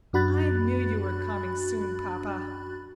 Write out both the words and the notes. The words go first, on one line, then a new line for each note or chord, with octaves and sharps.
"I knew you were coming soon, papa."
F#2 D4 F#4 B5 F#6 A6